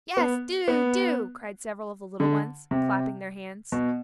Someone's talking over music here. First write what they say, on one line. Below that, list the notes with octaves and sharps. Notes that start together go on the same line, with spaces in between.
"Yes, do, do!" cried several of the little ones, clapping their hands.
B3
B3
D3
C3
B2